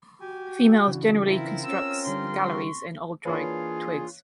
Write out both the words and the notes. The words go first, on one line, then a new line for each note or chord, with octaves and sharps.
Females generally constructs galleries in old dry twigs.
F#4 G4 G#5
C#3 E3 D4
C4 E4 F4 A#4
C#4 E6
D3 G3 C6
C#6
E3 A#3 D4 F4 G#4 B4 C#5 F5